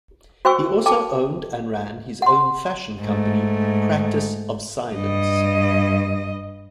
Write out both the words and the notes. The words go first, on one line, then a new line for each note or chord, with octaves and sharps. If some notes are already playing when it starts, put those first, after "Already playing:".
He also owned and ran his own fashion company Practice of Silence.
F#4 C5 G5 G#5 C#6 E6
A4 G5 A5 D6
F#5 C6
G#2 A3
G2 D#5